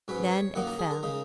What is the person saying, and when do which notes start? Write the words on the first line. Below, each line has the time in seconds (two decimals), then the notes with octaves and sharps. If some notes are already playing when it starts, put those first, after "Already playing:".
Then it fell.
0.08 G#2 F#3 C#4 B4
0.32 C#5
0.55 F#2 D#3 A#3 D#4 F#5
0.67 A#4
0.79 G#4
0.91 A#4
1.03 C#3 G#3 D#4